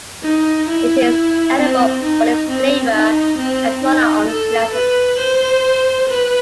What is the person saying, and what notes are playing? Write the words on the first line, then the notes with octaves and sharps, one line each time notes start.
It is edible but its flavor and small are unpleasant.
D#4
E4
C4
D#4
C4
D#4
C4
D#4
A4
B4
C5
B4